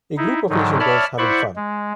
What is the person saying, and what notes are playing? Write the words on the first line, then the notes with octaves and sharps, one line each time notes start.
A group of Asian girls having fun.
D#4 E4
G#2 D3 D#3 F#3
C#5 D5 E5 A5 B5 F6
E4 C5 D5 F#5 B5 C#6
G#3